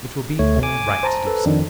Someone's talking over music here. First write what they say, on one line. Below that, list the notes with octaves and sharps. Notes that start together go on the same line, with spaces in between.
"It will be only right to do so."
D2 A3 C#5
G#5 D6
C5 A5 A#5
A4 B4
F2 D#3 D4